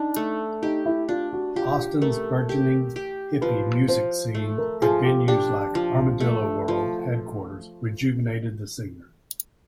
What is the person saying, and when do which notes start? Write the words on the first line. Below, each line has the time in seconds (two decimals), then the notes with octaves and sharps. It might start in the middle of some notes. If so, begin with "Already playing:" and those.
Austin's burgeoning hippie music scene at venues like Armadillo World Headquarters rejuvenated the singer.
Already playing: D4 D#4
0.16 A3
0.62 D#4 G4
0.86 E4
1.09 D4 F4
1.33 F#4
1.56 F4 G4
2.02 A3 A#4
2.49 G4
2.96 G4
3.41 F3 B4
3.88 F3 C5
4.35 A3
4.58 A#4
4.82 F3 G#4
5.05 G4
5.28 D4 G4
5.75 F3
6.20 A3
6.68 F3